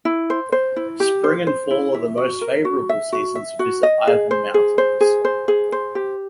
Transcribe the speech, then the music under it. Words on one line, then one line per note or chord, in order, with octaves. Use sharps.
Spring and fall are the most favorable seasons to visit Ivins Mountain.
E4
C5
C5
E4
G4
C5
C5
E4
E5
F#4
A#4
F#4
E5
F#4
E5
F#4
D#5
G#4
C5
G#4
C5
G#4
C5
G#4
C5
G4